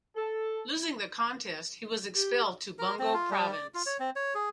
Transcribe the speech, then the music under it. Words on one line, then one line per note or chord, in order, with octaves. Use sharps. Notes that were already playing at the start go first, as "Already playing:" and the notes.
Losing the contest, he was expelled to Bungo Province.
A4
G4
A#4
C4
F4
G3
D5
F4
C#5
C4
C#5
G#4